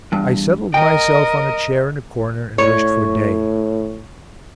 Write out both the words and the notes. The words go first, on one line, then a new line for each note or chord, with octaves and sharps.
I settled myself on a chair in a corner and wished for day.
E2 G2
A#4 D#5 G5
A2 C#5